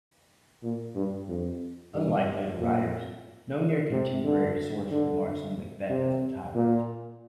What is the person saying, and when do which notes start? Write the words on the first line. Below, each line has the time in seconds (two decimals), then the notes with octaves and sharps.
Unlike later writers, no near contemporary source remarks on Macbeth as a tyrant.
0.63 A#2
0.95 G2
1.28 F2
1.94 G2
2.60 A#2
3.92 C3
4.24 D3
4.91 D3
5.89 C3
6.55 A#2